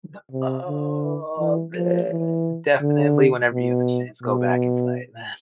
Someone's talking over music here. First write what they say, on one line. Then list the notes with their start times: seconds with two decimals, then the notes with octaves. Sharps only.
Nuh oh, man. Definitely whenever you have a chance, go back and play it, man.
0.32 C3
0.67 D3
1.39 E3
1.74 F3
2.09 E3
2.81 D3
3.52 B2
4.23 B2